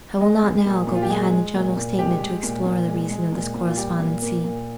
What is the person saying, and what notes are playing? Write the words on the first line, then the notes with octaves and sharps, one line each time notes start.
I will not now go behind the general statement to explore the reason of this correspondency.
G#3 D#5
G#3
A#2
A#2
F4
G4
G#3 G#4
G#3
A#2
A#2
G#3 G4
G#3
A#2
A#2
G#3
G#3
A#2
A#2
F4
G3 G4
A#2
A#3
A#2